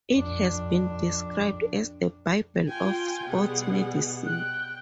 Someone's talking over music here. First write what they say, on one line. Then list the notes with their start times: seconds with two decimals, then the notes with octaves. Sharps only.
It has been described as the Bible of Sports Medicine.
0.12 F2 D4
2.68 F4 G5 G#5
3.29 B2 G3 G#4 F#5
4.26 G5 F#6